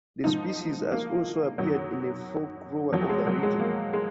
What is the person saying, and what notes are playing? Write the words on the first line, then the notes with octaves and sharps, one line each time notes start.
The species has also appeared in the folklore of the region.
G#2 F3 D#4
A#3
F#2 D#3 F#3
F2 F3 F#3
G#3
F#3
G#3
A#3
G#3